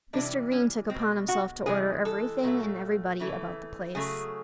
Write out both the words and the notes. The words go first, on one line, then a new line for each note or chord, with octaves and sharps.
Mr. Green took upon himself to order everything and everybody about the place.
C3 E3 G3 D4
C#4
B2 G#3 C4
F#4
C3 E3 G#3 G#4
A4
A#2 F#3 A3
C#3 E3 A3
C#3 F#3 A3 G#4